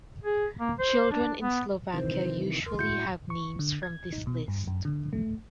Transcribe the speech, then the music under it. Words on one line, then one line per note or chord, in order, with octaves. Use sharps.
Children in Slovakia usually have names from this list.
G#4
A#3
C5
D4
B3
C3 D#3 E3 C5
A#4 C6
A2 E4 F#4 G6 C#7
C#6
D3
G#6
D#4
B2
G2
F#2
D3
A3